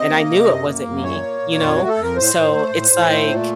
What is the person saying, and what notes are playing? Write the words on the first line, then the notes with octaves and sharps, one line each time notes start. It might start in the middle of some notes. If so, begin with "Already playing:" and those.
and I knew it wasn't me, you know. So it's, like,
Already playing: C3 D#5
A#3
C3
F#2
A#3
F#2
A#2 C#5
A#3
A#2
F2 F4
A3 F#4
A4
F2
A#4
A2 C5
A2
A3
A2
A2
A3
A#2